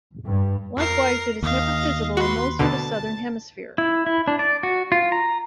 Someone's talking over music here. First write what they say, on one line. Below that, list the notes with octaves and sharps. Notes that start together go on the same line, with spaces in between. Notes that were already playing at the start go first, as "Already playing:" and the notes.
Likewise, it is never visible in most of the southern hemisphere.
G2
F2 A#4 C7
D#2 D#5 F5
F#4 B4 C6
D2 B2 D3 A5
E4
E4
D4
D5
F#4
F4
A#5